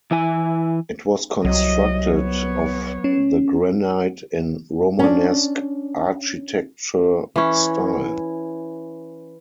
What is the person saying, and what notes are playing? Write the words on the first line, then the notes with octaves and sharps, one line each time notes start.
It was constructed of the granite in Romanesque architecture style.
E3 E4 G#5
C2 F#3 D#5
B3 C#5
C#4
C#4 D4
E3 C#4